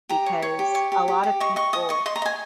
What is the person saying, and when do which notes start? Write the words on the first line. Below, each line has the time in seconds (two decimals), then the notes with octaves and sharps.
because a lot of people,
0.09 G4 A#5
0.26 C#5
0.42 C#5
0.59 G4
0.75 C#5
0.92 G4
1.08 G4
1.23 G4
1.40 D#5 C#6
1.56 D#5 C#6
1.73 D#5 D#6
1.89 D#5 C#6
2.06 D#5 C6
2.16 A#5
2.22 D#5 G#5